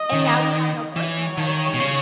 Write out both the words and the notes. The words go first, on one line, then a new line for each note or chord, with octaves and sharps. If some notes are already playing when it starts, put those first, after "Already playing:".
And now you have no personal life and
Already playing: D#5
D#3
E3 C#5
D#3
B2
C#3